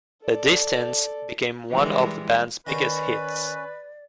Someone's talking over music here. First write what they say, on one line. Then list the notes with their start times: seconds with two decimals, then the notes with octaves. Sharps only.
"The Distance" became one of the band's biggest hits.
0.24 A4 D5
1.70 E3 G3 G#3
2.67 D#3 C#4 F#4 B4 C5 D5